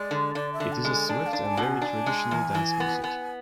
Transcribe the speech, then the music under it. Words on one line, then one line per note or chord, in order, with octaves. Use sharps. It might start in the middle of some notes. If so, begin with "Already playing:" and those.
It is a swift and very traditional dance music.
Already playing: G#3 D5
D3
D3 D5
E5
D3
A5
G#3
G#5
D4 G#5
F5
D4
G#5
B2
G#5
D4
G#3
E2
E3
B3
B3